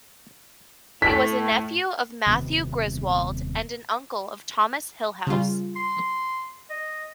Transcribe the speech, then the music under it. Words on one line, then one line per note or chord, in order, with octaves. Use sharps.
He was a nephew of Matthew Griswold and an uncle of Thomas Hillhouse.
A2 B6
D#1 C3 B3 C4
C#3 G3 F4
C6
D#5